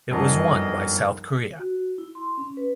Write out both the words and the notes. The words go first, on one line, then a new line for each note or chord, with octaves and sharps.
It was won by South Korea.
G1 F#2 D#3 F3 G3 D#5 A5
F#4
E4
C6
C#4
B4